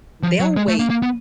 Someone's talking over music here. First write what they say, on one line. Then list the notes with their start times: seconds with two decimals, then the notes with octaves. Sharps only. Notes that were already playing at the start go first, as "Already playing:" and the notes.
they'll wait
0.23 F3
0.40 F#3
0.56 G#3
0.68 A3
0.79 A#3
0.90 A#3
1.02 B3